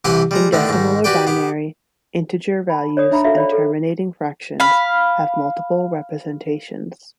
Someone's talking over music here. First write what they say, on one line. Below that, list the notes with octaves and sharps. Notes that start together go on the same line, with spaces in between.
In decimal or binary, integer values and terminating fractions have multiple representations.
C2 E3 G4 F#5 G#5 C6
G3 G#3 A#5
A2 D3 D#3 B3 D4
G#2 D#3
F#4 G4 B4 D5 G5
B3 G4
A5 B5
C#5 D5 D#6
D4 E5 A#5 B5
F#4 A4 A#4 E5 F5
C#5 D5 B5
A4 A#4
F5 B5